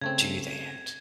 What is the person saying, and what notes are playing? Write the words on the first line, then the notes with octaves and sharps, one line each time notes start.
do that
C#3 A3 C4 G#6